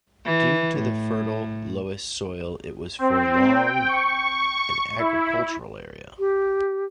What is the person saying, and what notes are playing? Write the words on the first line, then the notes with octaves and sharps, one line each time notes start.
Due to the fertile loess soil it was for long an agricultural area.
E3
A2
C4
G5
C#6
E4
G4